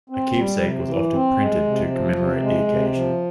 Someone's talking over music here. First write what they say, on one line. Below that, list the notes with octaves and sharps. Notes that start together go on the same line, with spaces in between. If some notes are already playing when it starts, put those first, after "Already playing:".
A keepsake was often printed to commemorate the occasion.
C4
G3
C3
E3
C4
G#3
C3
F3
C3
G#3
C3
F3